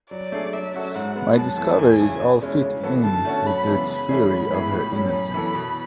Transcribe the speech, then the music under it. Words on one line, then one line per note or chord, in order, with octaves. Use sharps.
My discoveries all fit in with the theory of her innocence.
F#3 D5
A3 D4 G#4
F#3 E5
C#4 F#4 A4
G#2 F#5
G#3 B3
F#2 A5
E3 A3
E2 G#5
C#3 E3
B2
G#3 C#4 E4
C#3
E3 B3 F#4 A4
D3 A5
A3 C#4 F#4
F#2 B5
C#3 E3 G#3 B3
C#3 B5
E3 A3 C#4 G#4
G#2
E3 B3 E4 G#4
A2
F#3 C#4
F#2 B5
E3 B3 E4 A4
B2